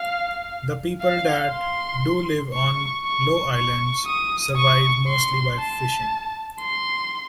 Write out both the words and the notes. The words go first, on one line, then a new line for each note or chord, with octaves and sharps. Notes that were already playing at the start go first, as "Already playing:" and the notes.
The people that do live on low islands survive mostly by fishing.
Already playing: F5
F5
C6
C#6
C#6
C#6
D#6
C#6
C6
A5
C6